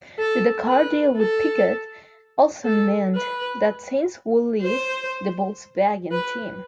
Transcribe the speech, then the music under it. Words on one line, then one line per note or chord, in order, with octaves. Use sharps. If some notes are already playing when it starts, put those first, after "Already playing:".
The Dakar deal with Peugeot also meant that Sainz would leave the Volkswagen team.
A4
B4
A4
A4
B4
C5
B4